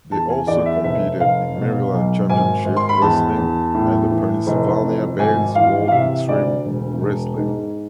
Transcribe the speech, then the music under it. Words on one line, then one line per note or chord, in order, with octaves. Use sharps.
They also competed in Maryland Championship Wrestling and the Pennsylvania-based World Xtreme Wrestling.
E2 A5
G#5
E2 D5
E5
F1 E5
F1 F5
B2
B1
G#1 G#5
G#1
C6
B5
E2 A5
E2
A2
E3
F1
F2
G#1 G#5
E3 F5
F5
C3 E5
D2 D5
E1
E1
G#2